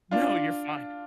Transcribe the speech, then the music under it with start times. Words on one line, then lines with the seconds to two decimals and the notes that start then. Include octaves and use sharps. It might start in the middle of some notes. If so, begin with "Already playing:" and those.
No, you're fine.
0.11 D4 F4